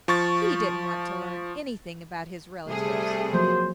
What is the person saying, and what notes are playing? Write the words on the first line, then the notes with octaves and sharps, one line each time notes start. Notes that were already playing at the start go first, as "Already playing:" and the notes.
He didn't want to learn anything about his relatives.
F3 C#6 A6
C3 G3 A3 G#4
F3 F#3 A#3 C5